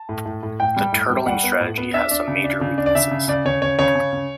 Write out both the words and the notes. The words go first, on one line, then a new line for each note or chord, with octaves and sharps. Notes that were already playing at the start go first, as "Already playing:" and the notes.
The turtling strategy has some major weaknesses.
Already playing: A5
A2
A2
A2
A2 G5
G3
A2
G3
G3 F#5
B3
A2
B3
D4 E5
D4
C#3
D4
C#3
D4
D5
C#3 E5
C#3
C#3 D5
C#3 C#5
C#3 C#5
C#3 C#5
C#3
C#3